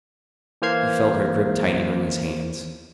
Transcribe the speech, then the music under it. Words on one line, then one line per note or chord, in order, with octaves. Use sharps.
He felt her grip tighten on his hands.
E3 A#3 C5 F6 G#6 C7